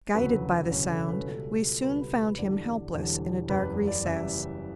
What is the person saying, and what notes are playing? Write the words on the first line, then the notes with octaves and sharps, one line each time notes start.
Guided by the sound, we soon found him helpless in a dark recess.
E1 D2 C#3 F#3 B4
E1 D2 C#3 F#3 C#5
A4
B4
C#2 B2 G3 A4
C#2 B2 G3 B4
B4
B4
E1 E2 D3 G3 D5
E1 E2 D3 G3
F#1 E2 C#3 G3 B4
D5
F#1 E2 C#3 G3 E5